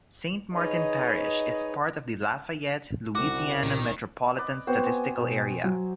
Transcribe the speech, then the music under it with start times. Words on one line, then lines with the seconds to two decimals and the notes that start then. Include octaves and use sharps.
Saint Martin Parish is part of the Lafayette, Louisiana Metropolitan Statistical Area.
0.53 D#4 G#4 B4 C#5 D#5
3.15 C2 F#4 D6
3.63 A#2 D#3
4.38 B4 D5 D#5
4.67 B3 C4 F#4 C5
4.87 G#5
5.18 B2
5.64 F#3